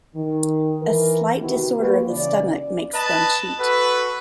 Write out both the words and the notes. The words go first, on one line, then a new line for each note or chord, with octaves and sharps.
A slight disorder of the stomach makes them cheat.
D#3
E3 A#4
C3 D#3 B3 E4 F#4
G#3 A#3 F#4 G4 B4
C#3 E3 D5
B4 D#5 A5
F#4 A4 B4